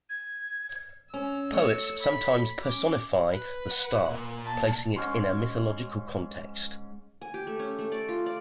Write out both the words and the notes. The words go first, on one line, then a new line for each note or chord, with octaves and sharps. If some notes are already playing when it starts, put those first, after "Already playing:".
Poets sometimes personify the star, placing it in a mythological context.
G#6
C#4 E6
A3 C#5
B5 B6
C#4 D6
B4
F#5
A#2
A5
G#2 C#4 C6
G#5
G4
A3
C#4
A3
D5
F4
D5